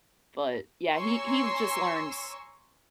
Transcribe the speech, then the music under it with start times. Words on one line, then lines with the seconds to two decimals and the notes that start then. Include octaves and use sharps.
but, yeah, he he just learns
0.93 C#5 G#5 A#5 C6 C#6 E6